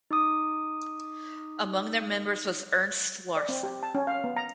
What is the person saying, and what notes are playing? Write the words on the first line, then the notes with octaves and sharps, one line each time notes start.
Among their members was Ernst Larsen.
D#4 D6 D#6
D5
C4
G4
A5
C#4
F5
B3
A#5